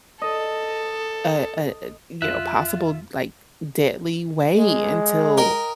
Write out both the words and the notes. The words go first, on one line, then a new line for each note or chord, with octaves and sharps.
a a a, you know, possible, like, deadly way until,
A4 D#5
F2 F4 E5 F#6
G#3
A#4 D#5 G5